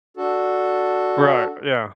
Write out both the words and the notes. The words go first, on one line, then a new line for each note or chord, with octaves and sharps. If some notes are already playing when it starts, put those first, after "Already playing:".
Right, yeah.
D4 F#4 A4